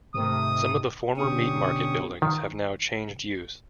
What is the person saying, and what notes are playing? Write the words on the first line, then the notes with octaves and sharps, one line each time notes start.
Some of the former meat market buildings have now changed use.
G#2 C3 D#3 A3 D#6
B2 D3 C#4 G4 C#6 D#6
D#3